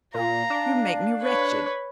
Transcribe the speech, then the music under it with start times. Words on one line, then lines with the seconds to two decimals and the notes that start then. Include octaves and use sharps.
You make me wretched.
0.14 A#2 F5 A#5
0.50 D4
1.22 B4 C#5